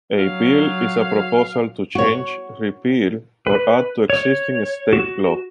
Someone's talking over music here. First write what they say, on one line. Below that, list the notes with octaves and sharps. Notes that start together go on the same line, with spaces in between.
A bill is a proposal to change, repeal, or add to existing state law.
F#3 F5
F#4 C#5
B4
C#5
F#4